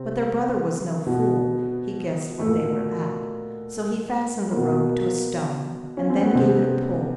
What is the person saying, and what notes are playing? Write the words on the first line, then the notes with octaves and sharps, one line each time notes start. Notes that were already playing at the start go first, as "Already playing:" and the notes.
But their brother was no fool; he guessed what they were at, so he fastened the rope to a stone, and then gave it a pull.
Already playing: C3 C4
B2 B3
A3
A#2 A#3
A#3
B2 B3
C#4
C4
B3
C3 C4